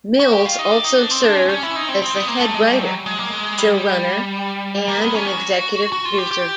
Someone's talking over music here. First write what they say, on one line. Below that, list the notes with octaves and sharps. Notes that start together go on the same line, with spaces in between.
Mills also served as the head writer, show runner and an executive producer.
F#4
G4
F4
D#4
D4
D#4
D4
C4
D4
C#4
C#4
E4
D#4
C4
C4
B3
A#3
A3
G#3
G3
F#3
G#3
A#3
G#3
G3
A#3
B3
C#4
F#4
F#4
F4
G4
G4